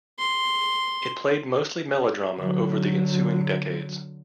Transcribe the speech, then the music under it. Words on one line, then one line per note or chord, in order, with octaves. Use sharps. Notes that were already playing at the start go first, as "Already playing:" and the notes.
It played mostly melodrama over the ensuing decades.
C6
D3 F#3